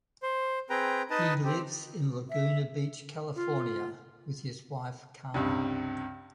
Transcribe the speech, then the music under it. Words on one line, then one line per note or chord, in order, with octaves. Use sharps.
He lives in Laguna Beach California with his wife Carmen.
C5
C4 G#4 B4 G5 A#5
D#4 B4 D#5 A5
C4 G4
E5
F4
C#2 G2 C3